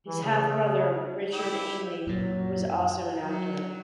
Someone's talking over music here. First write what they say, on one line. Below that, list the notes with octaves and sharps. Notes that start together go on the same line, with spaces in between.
His half-brother, Richard Ainley, was also an actor.
E3
C#3
E4 G4
F#2 A#2 F#3
F#3